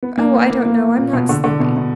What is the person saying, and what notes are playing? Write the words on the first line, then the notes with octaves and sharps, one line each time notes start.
"Oh, I don't know, I'm not sleepy."
B3
A#3
B3
A#3
A#3
A#2
B2
D3
D3
B2
B2